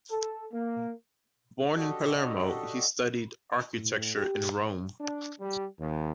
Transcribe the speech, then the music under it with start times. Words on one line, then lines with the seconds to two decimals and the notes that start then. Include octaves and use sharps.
Born in Palermo, he studied architecture in Rome.
0.10 A4
0.52 A#3
1.75 D4 F#4 G4 A4 D#5
3.73 A2
4.16 G4
5.00 D4
5.40 G3
5.79 D#2